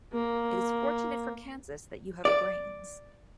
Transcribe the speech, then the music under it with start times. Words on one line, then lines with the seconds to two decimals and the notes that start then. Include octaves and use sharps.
It is fortunate for Kansas that you have brains.
0.13 A#3
2.25 D5